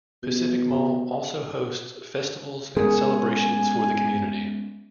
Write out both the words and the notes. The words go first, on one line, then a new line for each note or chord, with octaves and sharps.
Pacific Mall also hosts festivals and celebrations for the community.
B2
G#3 B3 C#4 G#4 A#4 G#5